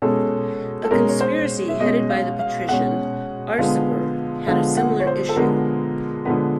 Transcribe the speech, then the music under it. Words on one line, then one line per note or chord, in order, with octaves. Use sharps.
A conspiracy headed by the patrician Arsaber had a similar issue.
B2 G#3 C#4 A4
A4
B2 G#3 C#4 A#4
C#5
C5
E5
B2 G#3 C#4 D#5
F5
F5
B2 G#3 C#4 F#5
D3 F3 G#3 B3 F5
D3 F3 G#3 B3 F5
F#5
C#5
C5
A4
D3 F3 G#3 B3 A#4
D3 F3 G#3 B3 B4